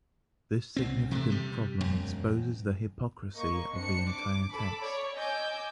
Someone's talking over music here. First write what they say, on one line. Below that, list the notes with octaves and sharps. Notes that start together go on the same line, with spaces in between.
This significant problem exposes the hypocrisy of the entire text.
C2 C4
C3 E3 G#3 A3
C3 G3
E1 F#2
A#3 D#5 C#6
C4 D4 C#7
D6
A4 B5 D6
C#5 D5
D#5 G#5 D6 E6 G6